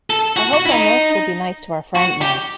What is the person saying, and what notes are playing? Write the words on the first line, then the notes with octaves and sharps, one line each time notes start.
I hope our nurse will be nice to our friend now.
A4
F#4
F#4
E4
D#4
F#4
G4